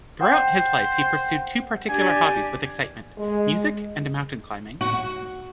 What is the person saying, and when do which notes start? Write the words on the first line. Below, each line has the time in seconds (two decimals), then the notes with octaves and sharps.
Throughout his life he pursued two particular hobbies with excitement: music and mountain-climbing.
0.21 C5 F#5 G5
1.89 D4 G4 D5 G#5
3.18 G#3
4.81 F#4